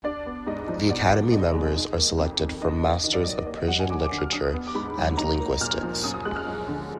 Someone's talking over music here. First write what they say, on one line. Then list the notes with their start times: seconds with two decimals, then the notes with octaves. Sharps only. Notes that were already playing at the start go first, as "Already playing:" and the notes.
The academy members are selected from masters of Persian literature and linguistics.
0.04 D4 D5
0.26 B3
0.47 G#2 D#5
0.68 F3
0.90 B2 D5
1.11 B3
1.32 B2 D#5
1.54 G#3
1.75 D#4
1.97 A#3
2.18 F2
2.40 D#3
2.61 D4 D#5
2.83 A#3
3.04 D#3 D#5
3.13 D5
3.23 D#5
3.26 F#3
3.46 A#3 D5
3.57 D#5
3.68 F#3 F#5
3.79 G#5
3.90 F#2 D6
4.04 D6
4.12 D3
4.18 F6
4.32 D4 D#6
4.54 B3
4.67 D6
4.75 G#2 B5
4.97 F#3
5.17 D#4 A#5
5.40 A#3
5.61 A#2 F6
5.83 F3
6.04 F#2 D#6
6.14 D#6
6.25 G#3 F#6
6.36 F6
6.47 F#2
6.68 D3